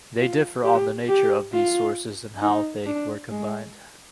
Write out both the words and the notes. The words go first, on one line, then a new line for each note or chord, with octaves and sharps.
They differ on the nature of these sources and how they were combined.
F4
G4
G4
F4
D#4
D4
G#3